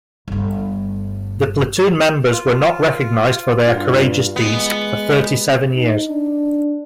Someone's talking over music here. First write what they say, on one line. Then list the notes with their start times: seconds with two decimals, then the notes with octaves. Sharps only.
The platoon members were not recognized for their courageous deeds for thirty-seven years.
0.28 G1 A3
2.32 F4
3.67 G2 F4 F#5
4.36 G#3 B3
5.74 D#4
6.08 D4